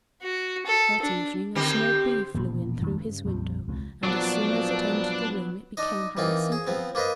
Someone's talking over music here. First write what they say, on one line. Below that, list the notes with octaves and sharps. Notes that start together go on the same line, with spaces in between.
That evening a small bee flew in through his window, and as soon as it entered the room it became Hyacinthia.
F#4
A4
D4
D3 C4 G4
E1 A#2 C#3
F2 D#3 G#3 A#3
G2 C#3
A#1 F2 F3 G3
C#2 C3 F3
A#2 F3 F#3 B3 D4 D5
D4 D#4 D#5
E3 A#3 C4 D#4 F4
G#4
F3 B3 C4
A#3 F4 B4 C5 D#5